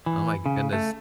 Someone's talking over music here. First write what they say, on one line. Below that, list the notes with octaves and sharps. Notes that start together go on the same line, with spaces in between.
Oh my goodness.
E3
C#3
A3